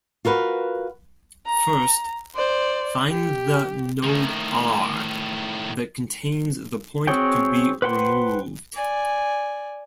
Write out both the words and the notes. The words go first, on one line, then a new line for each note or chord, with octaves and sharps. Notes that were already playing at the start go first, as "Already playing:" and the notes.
First, find the node R that contains the point to be removed.
F4 F#4 A#4 B4
A#5
C5 D5
G4
A2 D#3
C4 F#4 G#4 C#5 G5
B4 C5 F#5 G5 C6
D5 G#5